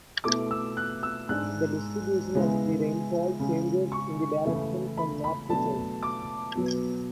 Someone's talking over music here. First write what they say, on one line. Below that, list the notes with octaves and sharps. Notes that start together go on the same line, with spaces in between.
The distribution of the rainfall changes in the direction from north to south.
B2 A3 E4 D6
E6
F#6
E6
G#2 G#3 D4 F#6
C#3 G#3 B3 E4
C#3 G#3 C#4
C#6
C#3 E3 A3 E4
B5
B5
B2 F#3 A3 D4 A5
D6
B2 F#3 B3